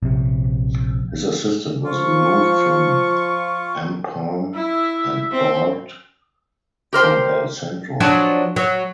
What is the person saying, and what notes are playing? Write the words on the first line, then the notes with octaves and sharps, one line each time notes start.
His assistant was removed from Empalme and barred from El Centro.
A#1 C3
F3 F4 C#6
E4 E5
C4
G4 A#4 C5 G5
F3 F#3 D4
F#3